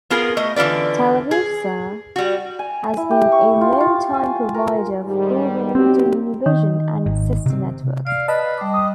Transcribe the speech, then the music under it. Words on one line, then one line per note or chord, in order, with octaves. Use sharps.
Televisa has been a longtime provider of programming to Univision and its sister networks.
B3 F4 G#4 A#4
A3 D#5
D3 E3 F4 B4 D5
G#4
G3 F#4
G#5
E4
G4
C#6
F4
F4
G#5
A#4
G#2 D#3 G3
F#3 C4 D#4 G4
D#3
G#1
C3 C4
D5 F5
B4 D#5 A5
G3 D6
D#6